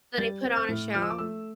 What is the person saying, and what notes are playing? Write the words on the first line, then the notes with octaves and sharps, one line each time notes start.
So, they put on a show?
G3 A6
C4
F6
A2
F3 F6
E6
D6
A3 E6